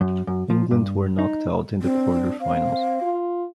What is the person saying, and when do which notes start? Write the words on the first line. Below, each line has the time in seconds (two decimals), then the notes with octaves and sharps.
England were knocked out in the quarter-finals.
0.01 F#2
0.27 F#2
0.50 F3
0.71 G2
1.19 D#4
1.82 C4 D4
2.41 C4 F5
3.02 F4